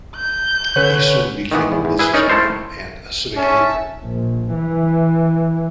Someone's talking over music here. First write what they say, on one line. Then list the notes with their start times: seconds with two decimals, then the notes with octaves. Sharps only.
He soon became a businessman and a civic leader.
0.17 G6
0.76 D3 C#4 B4 C#5
1.51 D#3 E3 B3
1.72 E2
1.85 E2
1.99 E4 G#4 B4
2.13 C#4 D#4 A#4 D5
2.29 A3 E4 A4 A#4 C5
3.36 C#4 E5 A5
4.04 A#1
4.54 E3